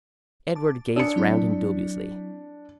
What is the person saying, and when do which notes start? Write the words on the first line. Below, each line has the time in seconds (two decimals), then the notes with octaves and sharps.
Edward gazed around him dubiously.
0.55 A5 D6
0.96 D4 G#5 D#6 E6 C#7
1.16 F#3 C4 E4